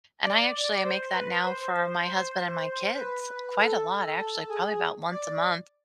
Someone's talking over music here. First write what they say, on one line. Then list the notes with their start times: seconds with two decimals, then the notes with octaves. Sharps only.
And I actually, I make that now for my husband and my kids quite a lot, actually, probably about once a month.
0.23 D5
0.84 C5
1.14 B4
1.44 C5
1.75 C5
2.05 C5
2.98 B4
3.58 A4
4.19 A4
4.49 G#4
5.11 D5